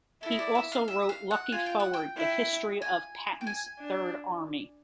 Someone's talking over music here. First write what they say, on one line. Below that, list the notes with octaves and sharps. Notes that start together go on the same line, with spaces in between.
He also wrote Lucky Forward: The History of Patton's Third Army.
E4 A4
D#5
D5
E5
F5
E5
F5
F#5
F4 G#5
G5
F#5
G5
E4
G#5
G5
G#5
D4